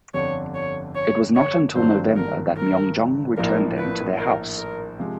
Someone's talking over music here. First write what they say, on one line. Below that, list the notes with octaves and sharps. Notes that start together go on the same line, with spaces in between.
It was not until November that Myeongjong returned them to their house.
G1 F2 D3 C#5
C#5
C#5
C#5
G#1 G2 D3 F#3 A3 C5
A#4
A#4
A#1 A2 F3 A#3 D4 A#4
B4
A#4
A#4
C3 F3 G#3